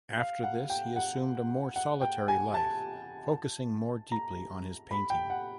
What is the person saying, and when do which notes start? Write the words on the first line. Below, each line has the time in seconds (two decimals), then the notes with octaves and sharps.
After this, he assumed a more solitary life, focusing more deeply on his painting.
0.17 F5
0.43 F#5
0.70 G5
0.96 F#5
1.76 F#5
2.01 G5
2.28 G#5
2.54 A5
4.12 A#5
4.91 B5
5.10 G5
5.30 F#5